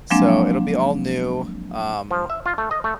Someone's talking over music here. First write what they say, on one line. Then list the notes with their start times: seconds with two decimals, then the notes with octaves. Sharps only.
So, it'll be all new, um
0.10 F3 F#3 G#3 A#3 C4 D4
2.11 F3
2.30 E5
2.46 F4
2.58 A3
2.71 D#5
2.84 A3